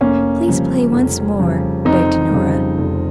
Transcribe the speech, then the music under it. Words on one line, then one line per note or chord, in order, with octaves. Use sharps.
"Please play once more," begged Nora.
F1 A#3 C#4
F2 C#3 G3
F1
F2 C#3 G3
F1 C4 D#4
F2 C#3 G3
F1